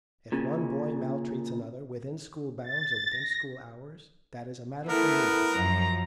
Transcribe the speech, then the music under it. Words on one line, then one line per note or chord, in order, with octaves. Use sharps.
If one boy maltreats another, within school-bounds, or within school-hours, that is a matter for me to settle.
A#2 C#3
A6
A#6
A3 B3 E4 A#4
F#2 F3 A#5